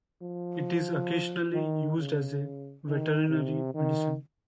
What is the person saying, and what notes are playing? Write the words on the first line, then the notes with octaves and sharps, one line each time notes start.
It is occasionally used as a veterinary medicine.
F3
D#3
C#3
D#3
C3
D#3